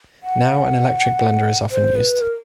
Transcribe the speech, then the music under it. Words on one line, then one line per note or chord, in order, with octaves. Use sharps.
Now an electric blender is often used.
F#5
C5
B4
A#4